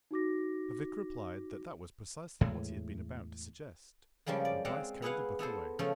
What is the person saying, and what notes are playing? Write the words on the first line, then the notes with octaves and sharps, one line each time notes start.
The vicar replied that that was precisely what he had been about to suggest, and Bryce carried the book away.
D#4 F#4 D6 A#6
E2 A2 G#3
C#3 F3 G3 G#3 A#3
D5
G#3 C4 D5 F5 F#5
B3 E4 G#4 B4 F5 F#5
B3 E4 A4 C5
C#3 F3 A3